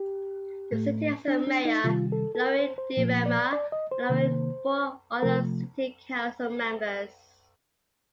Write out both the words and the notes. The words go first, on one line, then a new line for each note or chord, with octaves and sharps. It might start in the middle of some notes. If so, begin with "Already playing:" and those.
The city has a mayor, Lori DeRemer, along with four other city council members.
Already playing: G4
A2 A3
D4
D4
D#4
C3 D#3 G3 F4
A4
A4
A#4
C5
C5
A#2 F3 A#3
D5
D5
D#5
C5
C3 D#3 A#3
C3 F3 A3 A#4